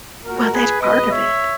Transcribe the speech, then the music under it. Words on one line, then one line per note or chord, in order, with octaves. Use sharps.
Well, that's part of it.
A#2 G#3 F#4 A#4
G#4 B4
B2 G#3 B4 D#5
C#5 E5